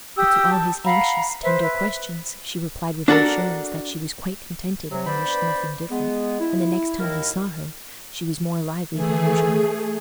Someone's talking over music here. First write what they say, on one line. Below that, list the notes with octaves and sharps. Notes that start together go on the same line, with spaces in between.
But to all his anxious, tender questions, she replied with an assurance that she was quite contented and wished nothing different; and the next time he saw her she was more lively than usual.
G4 D#6 E6
A5
F5 F#5 A#5 B5
B4 C5 E5
B4 E5
D4 F#4 A4 A#4
C3 F#3
B3 D4 B4 C5 D5 B5
G#3 B3
E4
D#2 E4 A#4
E3 A3 G#4